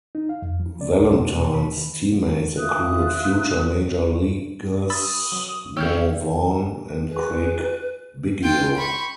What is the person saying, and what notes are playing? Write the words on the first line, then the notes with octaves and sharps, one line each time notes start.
Valentin's teammates included future major leaguers Mo Vaughn and Craig Biggio.
D#4
F5
F2
F3
D5
C#2
B2
B2
B5
D#3
F4 E5 D#6 F#6
B5 D#6 E6 A6
F#3
C#4 G4 C#5 E6 F6 G6
G#4 B4
F4 G5
B5 C#6